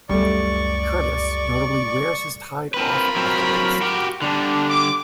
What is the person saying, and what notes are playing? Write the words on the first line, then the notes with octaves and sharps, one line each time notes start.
Curtis notably wears his tied off at the waist.
C#2 F#2 G3 A3 D5 C#6
C4 F4 A#4 B4 B5
F#3 C4
F#4 G4
D3 G3 D4
D6